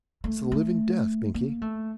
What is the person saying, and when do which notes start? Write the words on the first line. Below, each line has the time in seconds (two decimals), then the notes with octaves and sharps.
It's the living death, Binkie.
0.24 A3
0.52 A3
1.34 A#3
1.62 A3